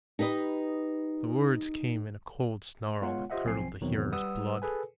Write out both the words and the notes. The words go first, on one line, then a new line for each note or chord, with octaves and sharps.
The words came in a cold snarl that curdled the hearer's blood.
D#4 G4 B4 D#5
G#3 B3 F4 C#5 F#5
F4 G4 C5 D#5 E5 F#5
B1 F3 C4 G#5 C7
E2 B2 D#3 F#3 B3 C4
G3 B4 F#5 D#6 E6
G#4 A4 B4 G#5